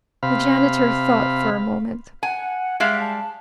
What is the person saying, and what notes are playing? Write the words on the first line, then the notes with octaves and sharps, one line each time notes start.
The janitor thought for a moment.
C3 F5 B5
F#5 G#5
G3 G#3 E5 F5
A5